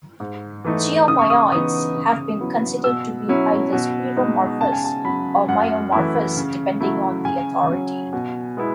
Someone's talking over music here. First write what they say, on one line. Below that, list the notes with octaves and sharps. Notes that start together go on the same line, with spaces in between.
Geomyoids have been considered to be either sciuromorphous or myomorphous depending on the authority.
G#2
E3 A3 D#4
C#3 D#6
C#6
D#6
E3 B3 D#4 D#6
C#3
F#3 B3 E4
B2 E6
F#3 C#4 E4
B2
G#3 D#4
C#3 A5
G#5
A5
F#3 C#4 B5
F#2 F#5
E3 A3 E4
C#3
F#3 A3 E4
C#3 G#5
F#3 C#4
B2
G#3 B3 E4